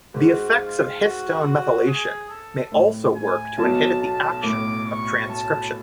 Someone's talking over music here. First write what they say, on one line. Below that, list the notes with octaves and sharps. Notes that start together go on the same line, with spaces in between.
The effects of histone methylation may also work to inhibit the action of transcription.
G#2 F#4
F4
F#4
F#4
G#4
A4
A2
G#5
B1 B2 A5
A5
A2 D6
C#6
A5